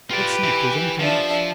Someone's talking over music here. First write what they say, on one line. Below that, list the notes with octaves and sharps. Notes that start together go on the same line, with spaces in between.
"Let's see if there's anything else."
F4 G4 B4 D5
E3
F3 D4 E5